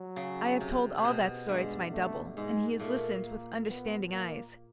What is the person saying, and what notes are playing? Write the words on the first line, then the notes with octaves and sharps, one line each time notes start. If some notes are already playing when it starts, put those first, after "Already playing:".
I have told all that story to my double, and he has listened with understanding eyes.
Already playing: F#3
C#3
C3
C3
B2
G2 G#3
A3
G#2 G#3
A#2 A3
A#3
B3
A#3